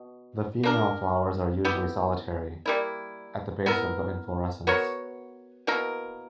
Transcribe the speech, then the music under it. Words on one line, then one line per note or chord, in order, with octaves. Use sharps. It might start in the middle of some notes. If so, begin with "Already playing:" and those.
The female flowers are usually solitary, at the base of the inflorescence.
Already playing: B2
A#3 D4 A#4
B3 E4 G4
G3 A#3 E4
B3 E4 A#4
B3 F#4 A#4 C#5
B2 A#3 E4 A#4